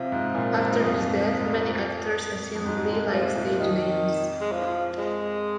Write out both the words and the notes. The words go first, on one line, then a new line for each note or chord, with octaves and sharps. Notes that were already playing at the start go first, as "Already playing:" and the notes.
After his death, many actors assumed Lee-like stage names.
Already playing: C3 F3
G#2
A#2
G#2
F2
F2
G#2 G#3
A#2
C3 F3
A#2
F2 D#3
G#3
F3
G#3